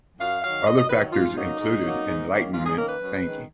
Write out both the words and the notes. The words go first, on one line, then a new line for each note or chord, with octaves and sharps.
Other factors included Enlightenment thinking.
F#2 F5
D#3 F#3 F5
F#2 D#5
D#5
D#3 F#3 B4
G#2 F4
F#3 A#3 C#4 D#4
G#2
F#3 A#3 C#4
G#2
D#3 A#3 C#4
G#2 F4
G#4
D#3 A#3 C#4 A#4
B4
F#2
D#3 G#3 C#4